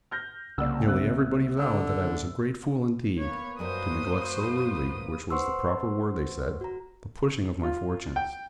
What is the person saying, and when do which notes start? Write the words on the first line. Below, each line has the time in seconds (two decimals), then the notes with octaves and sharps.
Nearly everybody vowed that I was a great fool indeed, to neglect so rudely--which was the proper word, they said--the pushing of my fortunes.
0.11 F6 G6 A#6
0.58 C2 C#3 A#3 D5 F#5 E6
0.86 C4 F#6
1.59 D3 E6
3.18 A#3 B3 B4 C#5
3.59 F#2 G3 F#4 A#4 C5 D#6
5.30 B4 C5 F#5 C6 C#6 E6
6.61 F#4 A#5
7.63 F4
8.16 G5